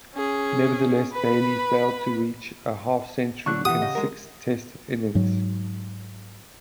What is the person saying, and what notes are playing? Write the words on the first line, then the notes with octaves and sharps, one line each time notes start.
Nevertheless, Bailey failed to reach a half-century in six Test innings.
C#4 G#4
B4 B5
D3 F#3 D4 C#6 F#6
B2 E3 G4 F#5 D#6
C#3 D#5
G#3 A#4
G#2 F#3